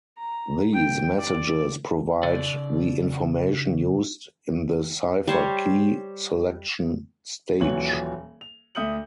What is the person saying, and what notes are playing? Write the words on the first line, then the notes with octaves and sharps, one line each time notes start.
These messages provide the information used in the cipher key selection stage.
A#5
G5
D5
C#3 D5
G3 C5 C#5
D#1 A#2 E3 F#3 C#5 F#7
F7
D2 E5 D#6 G6 C#7 F#7